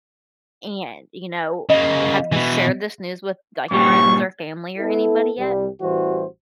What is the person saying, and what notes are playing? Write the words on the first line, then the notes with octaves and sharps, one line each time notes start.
And, you know, have you shared this news with, like, friends or family or anybody yet?
C#3 A#3 D#5
B2 E3
G2 A#2 G3 C#6
B3 E4 A4
C2 G3
A1 E3 G3 F#4 C5